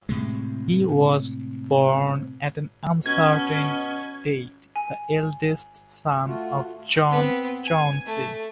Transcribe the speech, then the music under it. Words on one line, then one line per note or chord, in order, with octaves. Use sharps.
He was born at an uncertain date, the eldest son of John Chauncey.
A2 C3 G#3
B2 C#4 G#6
G#5
A3 F4 F#4
B3 C4
G#5
A3